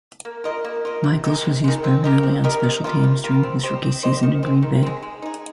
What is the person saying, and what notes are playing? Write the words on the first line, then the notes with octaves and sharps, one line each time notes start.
Michaels was used primarily on special teams during his rookie season in Green Bay.
A#3
F4 A#4 D#5
A#3
F4 A#4 D#5
C3
D#3 G#3
C3
D#3 G#3
C4
G4 A#4 D#5
C4
G4 A#4 D#5
C3
G3 A#3 F4
C3
G3 A#3 F4
C4
G4 C5 D#5
C4
G4 C5 D#5
D#3
G#3 C4
D#3
G#3 C4
G#3
D#4 G#4